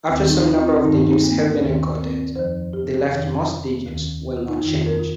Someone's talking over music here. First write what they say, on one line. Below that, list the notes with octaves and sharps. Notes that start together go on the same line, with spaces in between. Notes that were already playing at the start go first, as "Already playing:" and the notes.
After some number of digits have been encoded, the leftmost digits will not change.
D#2 D#3 C4
D#4
F4
C4
D#4
G2 D#3 C4
D#4
C4
A#3
D#2 D#3
C4
F2 F3 C5
G4
F2 C3 D#3
D#2 D#3
F4
D#4
F2 D#3 F4
A#4
F4